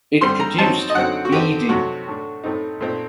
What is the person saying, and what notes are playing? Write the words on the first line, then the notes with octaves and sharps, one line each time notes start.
It produced beedi.
D3 G3 C4 C6
A#5
F#3 C4 D#4 A5
D#5
D3 F#3 C4 D#4 F#5
F#4
D3 A3 C4 D#4 G4
C3 F#3 A3 F#4
A2 A3 D4
A2 A3 C4 D#4
A#2 A3 C4 D#4